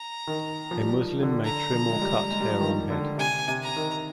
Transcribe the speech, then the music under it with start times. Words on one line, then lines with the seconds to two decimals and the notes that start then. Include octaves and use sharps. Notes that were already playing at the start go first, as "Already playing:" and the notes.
A Muslim may trim or cut hair on head.
Already playing: A#5
0.27 D#3
0.71 F3
0.78 G3
1.00 F3
1.22 D3
1.44 D3 A#5
1.73 F3
1.91 G#3
2.02 G3
2.30 G#3
2.40 G3
2.50 F3
2.61 D#3
2.90 D3
3.18 C3 G#5
3.48 C3
3.62 A#5
3.76 D#3